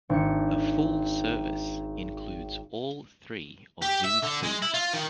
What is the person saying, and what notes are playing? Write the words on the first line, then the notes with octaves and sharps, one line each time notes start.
A "Full Service" includes all three of these groups.
G#1 D4 C#7
G4
E5
D3
G#3
E4
F4
D#3